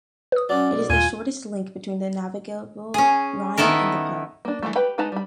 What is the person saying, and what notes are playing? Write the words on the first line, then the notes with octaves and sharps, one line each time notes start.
It is the shortest link between the navigable Rhine and the Po.
B4 D#6
F#3 C#4 D5
B1
D#2 A#2 F4 G#5 C6
C#4 G#4
D#3 B3 E4 A4 A#4
A#3 D4
E3 F3 G3 A3
G4 B4 G5 B5
G#3 D#4 B4 A5 A#5
G3 B5